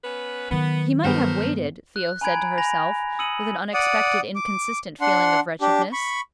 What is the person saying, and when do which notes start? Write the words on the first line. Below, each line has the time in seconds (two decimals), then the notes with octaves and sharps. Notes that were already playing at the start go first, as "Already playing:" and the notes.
"He might have waited," Theo said to herself, with an unexpected, inconsistent feeling of wretchedness.
0.04 B3 C#4 B4
0.51 D#3 F#3 B3
1.05 G2 A3 B3 A#4 C5
1.96 F#6
2.21 G#5 A#5 B5 G#6 D7
2.58 G#5 A#5 B5 A#6 F7
3.19 D#6 E6 G#6 C#7 D#7 F#7
3.74 D5 F#5 D#6
4.36 D6
5.01 D4 F#5 C6
5.61 D4 G4
5.93 B5 C#6